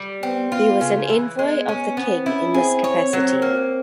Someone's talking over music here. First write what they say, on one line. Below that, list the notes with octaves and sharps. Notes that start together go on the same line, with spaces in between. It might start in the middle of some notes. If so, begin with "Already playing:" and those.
He was an envoy of the king in this capacity.
Already playing: G3
B3 C4
B3 F4
C#3
E3
G#3 B3
B3 C#4
B3 C4
C#4 E4
C4 G#4
C#5
F#3 C4
A#3